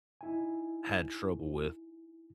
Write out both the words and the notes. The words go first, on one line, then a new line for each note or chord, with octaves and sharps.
had trouble with,
D#4 E4 G#5